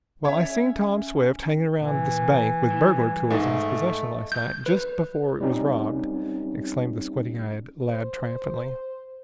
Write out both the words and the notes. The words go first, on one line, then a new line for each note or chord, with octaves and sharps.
"Well, I seen Tom Swift hanging around this bank with burglar tools in his possession last night, just before it was robbed," exclaimed the squint-eyed lad triumphantly.
C#4 C#5 E5
A#2 E3
G3 E4
G#2 A3 D#5 E5
G6
B4
G3 C4 C#4 D#4
C5